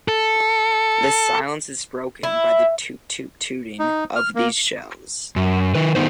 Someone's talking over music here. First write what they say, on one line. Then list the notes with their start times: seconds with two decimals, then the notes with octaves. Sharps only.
The silence is broken by the toot-toot-tooting of these shells.
0.08 A4
2.23 E4
3.79 D#4
4.16 F6
4.35 A#3
5.36 F#2
5.75 D#3 B4
5.95 D#3 B3 D#4 C5